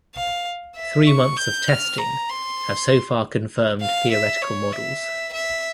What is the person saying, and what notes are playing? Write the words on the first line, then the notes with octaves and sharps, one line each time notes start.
Three months of testing have so far confirmed theoretical models.
F5
E5
C#6
G6
F6
A#5
C6
F5
E5
C#5
E5
E5